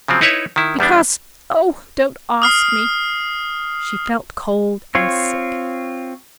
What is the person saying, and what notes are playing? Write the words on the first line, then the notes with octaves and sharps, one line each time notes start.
"Because--oh, don't ask me." She felt cold and sick.
C#3 F3 F#3 C4
D#4 E4 B4 C#5 E5
D#3 E4
E2 G3 B3 D4
D#6 F6 C7
C4 F4 C#5